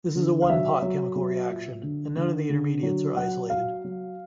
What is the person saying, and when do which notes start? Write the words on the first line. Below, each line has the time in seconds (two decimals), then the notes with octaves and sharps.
This is a one-pot chemical reaction, and none of the intermediates are isolated.
0.16 D3
0.42 F5
0.49 F#3 E5
0.82 F#3
1.16 F#3
1.50 A#2
1.83 D3
2.17 D3
2.49 D3
2.83 F#3
3.16 F#3 F#5
3.50 F#3 F5
3.84 F#3